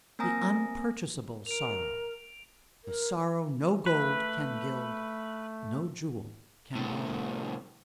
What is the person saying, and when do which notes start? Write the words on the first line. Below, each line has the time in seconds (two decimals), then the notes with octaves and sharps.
The unpurchasable sorrow--the sorrow no gold can gild, no jewel can buy!
0.19 A#3 C4 G#5 A#5 D#6 A#6
1.46 A#4 D7 F7
2.84 A#4
3.86 A3 B4
6.75 C2 A2